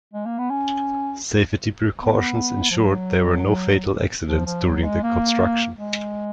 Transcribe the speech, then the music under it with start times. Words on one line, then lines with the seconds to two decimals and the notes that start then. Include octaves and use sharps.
Safety precautions ensured there were no fatal accidents during the construction.
0.13 G#3
0.26 A#3
0.38 B3
0.50 C#4
2.01 B3
2.70 F3
2.76 F#3
4.27 F3
4.46 F3
4.65 F#3
4.84 G#3
5.03 A#3
5.78 G#3